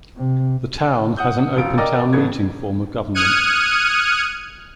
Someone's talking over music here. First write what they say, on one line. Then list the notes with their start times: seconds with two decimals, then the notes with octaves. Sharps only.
The town has an open town meeting form of government.
0.17 C3
1.17 F#5 D#6 G6
1.57 E1 F4 D7
1.78 A#4 D5 D#5 G5 D6 A6
2.13 A1 A3 B3 G#6
3.14 D#6 F6 F#6 G#6 C#7 D#7